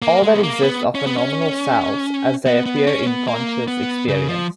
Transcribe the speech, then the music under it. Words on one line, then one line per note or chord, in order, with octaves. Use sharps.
All that exists are phenomenal selves, as they appear in conscious experience.
A#3
G#3
B3
A#3
B3
C#4
B3
C#4
B3
B3
C#4
B3
A#3
B3
C#3
F3